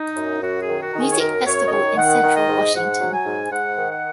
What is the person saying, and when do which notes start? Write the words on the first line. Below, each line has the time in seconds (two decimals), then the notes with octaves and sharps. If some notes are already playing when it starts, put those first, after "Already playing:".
Music Festival in Central Washington.
Already playing: D#4
0.16 F#2
0.42 F#2 F#4
0.61 G#4
0.68 D#3
0.82 F#4
0.92 D#3 A#4
1.00 G#4
1.11 C#5
1.19 F#2 A#4
1.45 F#2 C#5
1.67 D#5
1.71 D#3 C#5
1.97 D#3 F#5
2.23 D#3
2.36 D#5
2.49 G#2
2.75 G#2 F#5
3.00 F#3
3.13 G#5
3.25 G#2
3.51 G#2 F#5
3.77 D#3
3.91 F#5